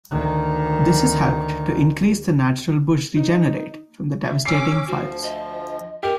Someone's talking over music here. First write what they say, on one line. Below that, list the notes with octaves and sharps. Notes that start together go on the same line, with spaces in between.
This has helped to increase the natural bush regenerate from the devastating fires.
D2 D#3
D#4
E5
C#4 D6 E6 C7
D2 F3 F#4
D#5
G4 A#4